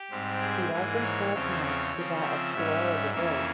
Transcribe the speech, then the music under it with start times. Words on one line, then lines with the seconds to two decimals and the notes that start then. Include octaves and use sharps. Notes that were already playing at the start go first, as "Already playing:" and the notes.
He likened her appearance to that of Cruella de Vil.
Already playing: G4
0.10 G#2 G3 C4
0.41 G#4
0.72 G#2 E3 A#3
1.02 C#5
1.33 E2 C#3 F3 C4
1.63 C#5
1.93 C#3 F3 C4
2.23 E5
2.53 G#2 G3 C#4 E5
3.13 F2 E3 A#3 C#4 E5